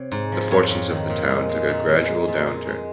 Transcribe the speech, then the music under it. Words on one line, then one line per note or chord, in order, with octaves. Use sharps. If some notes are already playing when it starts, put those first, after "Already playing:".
The fortunes of the town took a gradual downturn.
Already playing: C3 C#5
G#2
F3
F2 C#5
F2
D#3
A#2
G#3
G#3
A#2
G#3
G#3
A#2
G#3
G#3